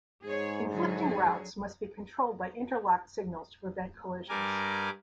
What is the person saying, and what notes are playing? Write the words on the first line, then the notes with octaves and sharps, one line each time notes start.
Conflicting routes must be controlled by interlocked signals to prevent collisions.
G#2 G#4 C#5
D3 F#3 G#4
G2 G3 A#4 G#5 D6